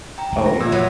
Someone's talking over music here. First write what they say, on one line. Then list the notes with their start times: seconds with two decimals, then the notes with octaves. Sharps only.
Oh, yeah.
0.18 G5 A#5
0.32 C2 F2 G#3
0.46 D3 F3 A#3 A#6
0.60 A#2 E6 G#6
0.72 E2 F#3 G3 B3 E5